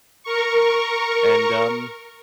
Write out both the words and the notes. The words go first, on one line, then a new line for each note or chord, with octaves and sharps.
and, um,
A#4 C#6